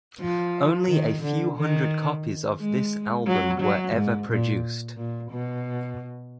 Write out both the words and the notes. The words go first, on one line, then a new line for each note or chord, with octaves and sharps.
Only a few hundred copies of this album were ever produced.
F3
D#3
D3
D#3
G#3
F#3
F#3
G#2
A#2
A#2
B2